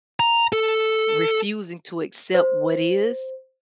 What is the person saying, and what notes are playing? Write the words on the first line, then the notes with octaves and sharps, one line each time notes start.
refusing to accept what is
A#5
A4
C5